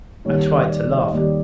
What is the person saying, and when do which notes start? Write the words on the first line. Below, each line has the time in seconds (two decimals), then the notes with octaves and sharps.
I tried to laugh.
0.25 D#2 D#3 G3 C#5
0.69 D5
1.03 D#5
1.13 D#2 D#3 G3 D5